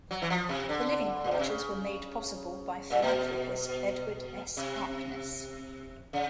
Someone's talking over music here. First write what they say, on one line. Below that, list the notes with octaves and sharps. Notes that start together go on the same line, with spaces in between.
The living quarters were made possible by philanthropist Edward S. Harkness.
F#3
E3
F3
C3
D3
A#2
B2
C3
C#3
A#2
B2
C3
C#3